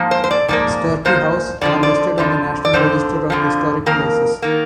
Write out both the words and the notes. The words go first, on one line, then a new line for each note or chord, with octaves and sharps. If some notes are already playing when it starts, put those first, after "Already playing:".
Sturkey House are listed on the National Register of Historic Places.
Already playing: G#2 F3 A#3
C5
C5
D5
G#2 F3 A#3 D5
G#2 F3 A#3 C5
F2 D3 F3 D5
D5
F2 D3 F3
D5
F2 D3 F3 C5
F2 D3 F3
F2 D#3 A#3 A#4
D#3 A#3